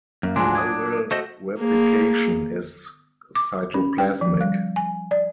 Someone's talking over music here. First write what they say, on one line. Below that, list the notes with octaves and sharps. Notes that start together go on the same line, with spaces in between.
Viral replication is cytoplasmic.
F#2 A#3
D2 G#2 F3 F#3 D4 G#5 C6
D6 D#6 G#6
A3 F#4 A4 C5 D#5
A#3 G#4
D6
C#4
G5
F3
G3
G#5
D5